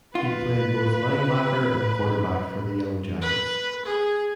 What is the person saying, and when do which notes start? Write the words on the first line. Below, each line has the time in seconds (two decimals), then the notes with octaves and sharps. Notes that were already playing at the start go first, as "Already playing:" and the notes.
He played both linebacker and quarterback for the Yellowjackets.
0.15 F4 B4
3.22 B4
3.85 G#4